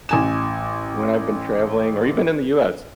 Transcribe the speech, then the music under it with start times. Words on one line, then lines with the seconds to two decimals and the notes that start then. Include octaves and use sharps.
when I've been traveling or even in the U.S.,
0.09 A1 G#5 E7